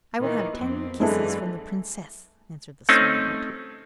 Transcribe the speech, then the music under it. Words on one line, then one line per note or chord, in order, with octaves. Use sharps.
'I will have ten kisses from the Princess,' answered the Swineherd.
A#2 D#3 E3
F2 B3 C4
F#2 D3 E3 G#3 E4 A4
A3 C4 C#4 D#4